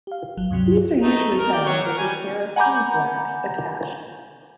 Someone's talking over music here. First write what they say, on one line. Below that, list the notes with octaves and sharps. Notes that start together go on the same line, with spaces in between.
These are usually found with a pair of penny blacks attached.
G4 F5
G#1 F#3
D2 G2 C3 F#3
A3 D#4
A#4
D5 G5
F#3 C#5
A#4
G3 G#5
F#5 G#5 A#5 B5 D6 G6